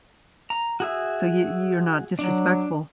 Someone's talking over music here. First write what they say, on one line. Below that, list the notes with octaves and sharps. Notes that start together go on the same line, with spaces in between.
so you you're not disrespectful.
A#5
F#4 G#4 E5
F#3 D4